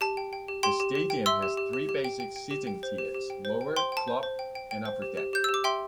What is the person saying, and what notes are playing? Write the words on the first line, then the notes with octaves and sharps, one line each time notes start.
The stadium has three basic seating tiers: lower, club and upper deck.
G4 A5
G5
G5
G4
G4 G5 C6
G4
G4
G5
E5 C6 E6
G4
G4
G4
G4
G5
G5
G5
G4
G5
C5
G4
G4
G5
C5
G5
C5 G5 C6
G5 A5
C5
C5
G5
G5
G5
C5
G4
G4
G4 G6
G4 E6
D6
E5 G5 C6